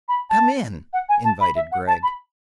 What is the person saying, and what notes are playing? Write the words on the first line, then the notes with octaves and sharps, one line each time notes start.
"Come in," invited Gregg.
B5
A5
F#5
G#5
A5
B5
E5
F#5
A5
B5